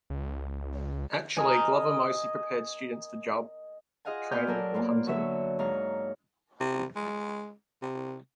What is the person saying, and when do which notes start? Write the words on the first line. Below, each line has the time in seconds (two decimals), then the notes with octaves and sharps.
Actually, Glover mostly prepared students for job training or hunting.
0.10 C#2
1.37 A#4 D#5 G#5
4.05 F4 G#4 D#5 F5 F#5 G#5
4.31 A#2 B3 D5 G#5 F6 G6
4.47 F#3 A4 A#4
4.74 A#3 B3 F4
5.06 D3 F#3 F#4 C#5 E5
5.59 G#2 C#5 F5 A#5
6.60 C3
6.96 G#3
7.82 C3